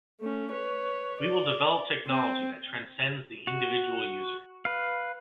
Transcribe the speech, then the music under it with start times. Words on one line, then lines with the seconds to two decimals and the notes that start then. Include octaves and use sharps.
We will develop technology that transcends the individual user.
0.20 A3 C#4
0.52 B4 C#5
1.21 D5
2.07 C4
3.47 F#4
4.65 B4 F5